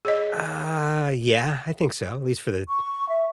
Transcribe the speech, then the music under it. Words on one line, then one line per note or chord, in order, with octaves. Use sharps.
Uh, yeah, I think so, at least for the
G#4 C#5 D#5
C#6
E5